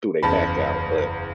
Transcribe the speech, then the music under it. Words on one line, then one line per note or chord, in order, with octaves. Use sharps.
threw they back out, but,
F#1 E2 C#3 A5 B5